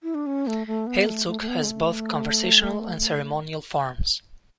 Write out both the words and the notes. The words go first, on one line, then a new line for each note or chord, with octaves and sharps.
Heiltsuk has both conversational and ceremonial forms.
E4
D4
C#4
A3
A3
B3
A3
A3
A3
B3
G#3
A3